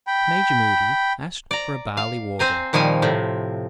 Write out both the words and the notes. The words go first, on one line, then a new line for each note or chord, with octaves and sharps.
Major Moody asked for barley-water.
G5 B5
D5 A#5
F5
C4 C5 G#5 A#5
A#2 D#3 F3 G3 G#5
A2 C3